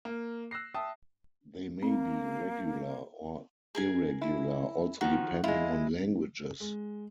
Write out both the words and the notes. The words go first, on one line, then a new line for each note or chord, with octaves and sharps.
They may be regular or irregular also depending on languages.
A#3
E6 F#6 A#6 C7
E5 G5 A5 D#6
A#3 C4
G#4 A#4 G#5
E4
D#3 F3 F#4
G#3 E4 F4
G#3